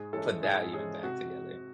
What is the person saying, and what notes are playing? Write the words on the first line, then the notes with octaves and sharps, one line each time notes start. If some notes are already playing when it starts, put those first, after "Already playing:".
put that even back together.
Already playing: G#2 G#4
E3 G#3 C#4 E4 A4
G#2 G#4
E3 G#3 C#4 E4 G#4
C3 F#4